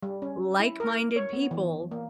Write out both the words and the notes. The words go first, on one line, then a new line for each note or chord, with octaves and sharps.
like minded people
G3
C#4
E4
A#4
C#5
B3
E3
A#3